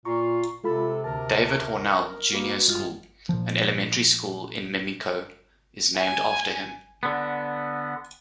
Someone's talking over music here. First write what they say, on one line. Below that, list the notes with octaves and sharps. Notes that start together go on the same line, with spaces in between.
David Hornell Junior School, an elementary school in Mimico is named after him.
A#2 F4 A#5 C#6
C3 G#3 F4 A4 B5
D2 A#4 A5
A#3 F#4 B4 D#5
G2 G#3 F4
A#2 F3
G#5
D3 B3